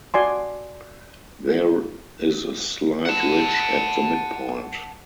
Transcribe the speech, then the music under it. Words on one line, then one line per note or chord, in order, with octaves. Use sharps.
There is a slight ridge at the midpoint.
F#4 D5 G#5 C6
F#5 A5